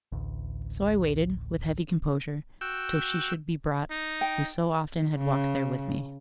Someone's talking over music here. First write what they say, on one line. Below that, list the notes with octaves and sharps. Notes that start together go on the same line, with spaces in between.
So I waited, with heavy composure, till she should be brought, who so often had walked there with me.
A1 D2
F#4 G5 E6
D#4
G5
C#3